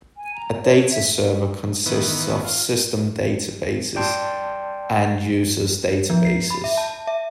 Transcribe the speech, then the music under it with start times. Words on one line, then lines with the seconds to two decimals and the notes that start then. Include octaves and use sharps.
A dataserver consists of system databases and user's databases.
0.18 G#5
0.34 A#5
0.62 C#5
0.90 E5
1.86 D#3 E3 B3
2.44 F4
3.96 D5 G5 A5 C6
6.10 F3
6.25 C7
6.50 B5
6.64 E5
6.78 A5
7.07 E5